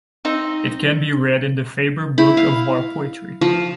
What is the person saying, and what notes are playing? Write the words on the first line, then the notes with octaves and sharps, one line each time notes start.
It can be read in "The Faber Book of War Poetry".
C4 D#4
E4
F5
F3